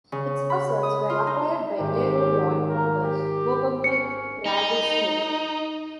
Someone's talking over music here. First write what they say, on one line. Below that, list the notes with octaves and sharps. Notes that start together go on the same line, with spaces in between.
Its assets were acquired by Aero Lloyd founder, Bogomir Gradisnik.
C#3
B5
D#6
F4
D#4
G#1 G4
A#4
G4
C#4 C#7
D#4